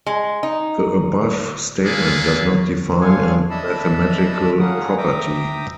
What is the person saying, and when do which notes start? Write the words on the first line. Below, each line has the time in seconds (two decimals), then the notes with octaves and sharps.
The above statement does not define a mathematical property.
0.06 G#3
0.43 D#4
1.84 A#3 D4 F4 G#4 A4 B4
3.01 D4 C#5 F5 G#5 C6
3.50 D4 D#5 E5 A5 B5 E6
4.59 A#3 C#4 G#4 A#4 F#5 D#6
4.97 E5 G5 A#5 D6 D#6